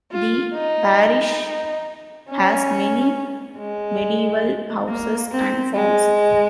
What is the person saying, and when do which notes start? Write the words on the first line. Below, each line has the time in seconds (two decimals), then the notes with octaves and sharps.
The parish has many medieval houses and farms.
0.11 F4
0.55 D#4
2.29 C#4
3.57 G#3
4.88 A#3
5.32 C4
5.75 G#3